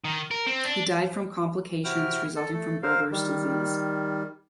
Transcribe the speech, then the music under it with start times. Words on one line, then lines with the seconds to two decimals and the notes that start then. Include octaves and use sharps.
He died from complications resulting from Berger's disease.
0.04 D#3
0.31 A#4
0.46 C4
0.65 D4
1.84 C3 E4 F#4 G5 F6
2.36 A4
2.53 A3 A4
2.83 A#4 C5 F5
3.11 D#3 G3